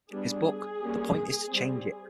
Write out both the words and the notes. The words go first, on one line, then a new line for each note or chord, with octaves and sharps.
His book The Point Is To Change It!
G3 B3 D4 G#4
G3 A#3 C#4
G3 C4